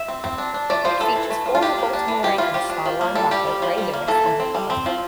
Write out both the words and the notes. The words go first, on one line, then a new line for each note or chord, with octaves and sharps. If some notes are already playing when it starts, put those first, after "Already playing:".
It features former Baltimore Ravens star linebacker Ray Lewis on the cover.
Already playing: E5
C4
C4
D4
D4
A3 D5
F3 C5
E3 A4
E3
A3
F3
F4
D4 G4
A#3
D4
E3
G3 G4
E3 F4
F3 G4
D4
F3
A#3
G3 A4
G3 G4
F3
F3
G3
A#3
E3 A4
E3
C4
G3
C4
F3